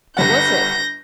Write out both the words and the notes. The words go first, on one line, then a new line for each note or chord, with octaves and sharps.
"What was it?"
G1 G3 F#5 G6 A#6